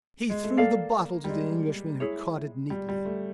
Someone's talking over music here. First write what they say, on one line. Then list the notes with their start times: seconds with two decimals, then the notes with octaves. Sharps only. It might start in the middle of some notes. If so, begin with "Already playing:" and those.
He threw the bottle to the Englishman, who caught it neatly.
0.30 G#3
0.44 A3
0.57 A#3 A4 D5 F5
1.24 G3
1.29 G#3
2.00 E4 G#4 C#5
2.70 G3
2.89 G3
3.06 A3